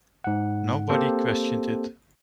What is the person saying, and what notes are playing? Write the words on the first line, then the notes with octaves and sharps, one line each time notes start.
Nobody questioned it.
G#2 F#5
A#3 C4 G4 A4 C5